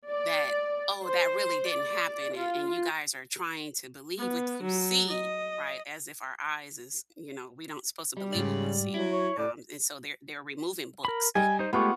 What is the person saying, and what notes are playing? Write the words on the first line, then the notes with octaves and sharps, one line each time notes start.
that "Oh, that really didn't happen, and and you guys are trying to believe what you see," right, as if our eyes is you know, we don't supposed to believe what we see, um, and so they're they're removing books,
D5
C5
D5
F4
B3
F#3
D#5
G3
G#2 C#3 D5
F#3 E4
C#5
A2 D5
A#4 B5
G3 D#5 G5 G#5
D#4 C5
G#3 A3 B3 F4 G4 F#5 C#6